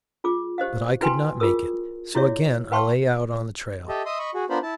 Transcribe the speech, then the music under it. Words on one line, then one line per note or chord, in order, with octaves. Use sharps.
But I could not make it, so again I lay out on the trail.
F4 G#4 D6
G4 C5 D#5 F5
E4 F#4 B4 G5 G#5 C6
F4 G#4 A#4 D#6
E4 F#4 G#4 C#5 D5 E5
B4 F5 G5 A5 C6 C#6
G4 A4 D#5 E5
D#5 E5 C6 D#6
D#5 B5 C#6
F#4 G#4
B3 D4 F4 A#4 C5 B5
E4 A5